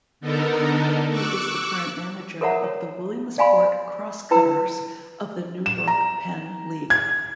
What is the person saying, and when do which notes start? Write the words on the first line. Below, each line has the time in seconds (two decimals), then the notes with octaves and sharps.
He is the current manager of the Williamsport Crosscutters of the New York-Penn League.
0.20 D3 B3 D#4 A4 A#4
1.09 C#6 D6 E6 F#6
2.41 A4 A#4 C#5 E5 F#5 A#5
2.64 C#5
3.38 D5 F5 G#5 B5 C6
4.31 E4 B4 G5 A#5 E6
5.66 E7
5.87 A#5
6.90 G#6